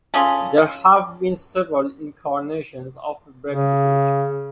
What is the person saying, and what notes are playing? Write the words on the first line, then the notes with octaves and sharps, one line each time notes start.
There have been several incarnations of a Berkley Bridge.
C#4 F4 G#4 A4
C#3